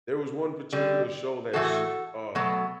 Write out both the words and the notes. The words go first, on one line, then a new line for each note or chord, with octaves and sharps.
there was one particular show that's, uh,
D3 G3
A2 E3 A3 F#4 A4
B2 F#3 A3